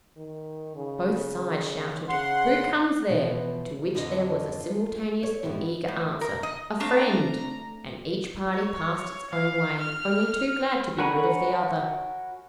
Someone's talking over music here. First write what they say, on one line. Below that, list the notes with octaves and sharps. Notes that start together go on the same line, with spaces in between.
Both sides shouted, "Who comes there?" to which there was a simultaneous and eager answer, "A friend," and each party passed its own way, only too glad to be rid of the other.
D#3
C#3
C#3 F#5 C6
B2 E3 F3
F2 D3 C#5 D#5
F4
C#5
F2 G#2 E4 G4
A2
A#4
D#5
A3 C4 D4 F5 A#5
C#5
F5
F6
F#4 A#4 C#5 G#5 B5